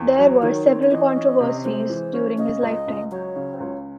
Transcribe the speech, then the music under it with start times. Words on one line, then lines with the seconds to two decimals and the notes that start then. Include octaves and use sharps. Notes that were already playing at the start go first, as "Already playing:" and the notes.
There were several controversies during his lifetime.
Already playing: E2
0.18 F#3 C#5
0.43 D#3 C#5
0.67 C4 C#5
0.83 C#5
0.91 E3 D#5
1.16 C#4
1.40 C3
1.65 G#3 C5
1.89 E3
2.14 C#4
2.38 C#3 D#5
2.62 C#2
2.87 C#2
3.12 F#3 C#5
3.36 C#3
3.60 C#2